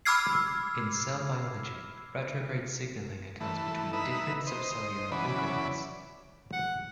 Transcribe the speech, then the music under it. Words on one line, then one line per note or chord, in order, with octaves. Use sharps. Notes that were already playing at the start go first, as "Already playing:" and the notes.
In cell biology, retrograde signaling occurs between different subcellular organelles.
B5 D6 E6 F6 G#6 C7
E3 A3
D#4 B4 E5
C5 D#5
C#3 E3 F#3 D5 B5
F#5